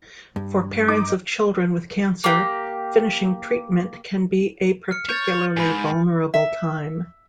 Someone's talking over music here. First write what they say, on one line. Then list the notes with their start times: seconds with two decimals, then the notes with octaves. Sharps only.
For parents of children with cancer, finishing treatment can be a particularly vulnerable time.
0.36 G2
0.88 D#4 D6
2.24 A#3 G4
4.91 F6 C#7
5.09 C#5 G6 A6
5.57 G#2 G#5 B5
6.34 E5